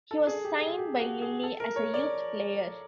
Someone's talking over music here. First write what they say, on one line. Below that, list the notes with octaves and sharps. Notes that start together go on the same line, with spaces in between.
He was signed by Lille as a youth player.
A4
G#4
G4
G#4
G4
F#4
G#4
A4
A#4
C#5
D5